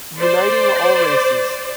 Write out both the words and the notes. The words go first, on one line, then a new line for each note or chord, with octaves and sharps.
Uniting All Races.
C5 D5